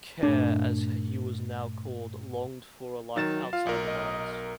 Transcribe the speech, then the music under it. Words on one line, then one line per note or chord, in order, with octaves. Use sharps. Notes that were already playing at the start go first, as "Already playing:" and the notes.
"Keir", as he was now called, longed for a life outside the mines.
G2 A#2 A3 D4
D#3 F#3 A6 E7
F4 F5
B1 A#4
D#5